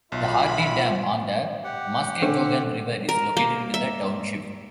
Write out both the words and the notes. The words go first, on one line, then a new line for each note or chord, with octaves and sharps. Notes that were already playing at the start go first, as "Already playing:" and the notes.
The Hardy Dam on the Muskegon River is located in the township.
B1 F4 E5 B5
G4 F#5
D3 A3 C4 C#4
A#4
A#3
E5